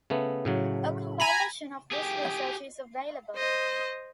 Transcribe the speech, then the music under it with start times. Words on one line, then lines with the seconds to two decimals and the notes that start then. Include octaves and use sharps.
A compilation of this research is available.
0.10 C#3 A3 B3
0.45 A2 C#3 F#3
1.20 G#5 A#5 B5
1.91 G4 G#4
3.36 C5 D#5